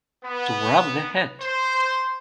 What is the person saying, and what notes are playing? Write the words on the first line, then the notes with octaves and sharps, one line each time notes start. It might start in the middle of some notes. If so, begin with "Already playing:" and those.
To wrap the head.
B3
C5